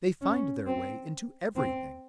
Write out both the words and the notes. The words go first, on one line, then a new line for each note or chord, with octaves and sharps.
They find their way into everything.
C#4
C4
C4